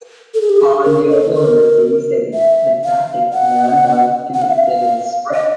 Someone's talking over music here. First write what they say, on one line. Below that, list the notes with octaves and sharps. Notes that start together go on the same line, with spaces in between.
Following the Oklahoma City sit-ins, the tactic of non-violent student sit-ins spread.
A4
G#4
G4
G#4
A#4
A4
A#4
E5
F5
F#5
F#5
F5
E5
F5
D#5